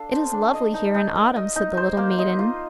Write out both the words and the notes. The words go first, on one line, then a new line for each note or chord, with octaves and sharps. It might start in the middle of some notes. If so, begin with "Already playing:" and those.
"It is lovely here in autumn!" said the little maiden.
Already playing: D4 A4 F5
C5
D4
D#5
D#4
D#4
A#4
D#5
D#4
C5
A#3
D#5
F4